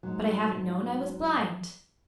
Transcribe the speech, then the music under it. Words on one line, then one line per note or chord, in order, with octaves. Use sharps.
"But I haven't known I was blind!"
G#2 F#3